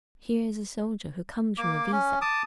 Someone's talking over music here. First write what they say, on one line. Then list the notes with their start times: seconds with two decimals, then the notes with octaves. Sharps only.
Here is a soldier who comes from Iviza.
1.58 A#3 D6
1.92 C#4
2.21 A5 D6 D#6